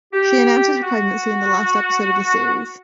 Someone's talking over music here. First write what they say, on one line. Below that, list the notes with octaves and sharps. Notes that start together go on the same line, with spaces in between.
She announces her pregnancy in the last episode of the series.
G4
F#4